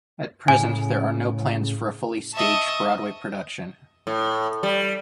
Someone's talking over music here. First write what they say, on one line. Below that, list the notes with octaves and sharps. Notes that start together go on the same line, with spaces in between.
At present, there are no plans for a fully staged Broadway production.
A2 C#3 G#5
D#5 E5 A5 C#6
A2
G3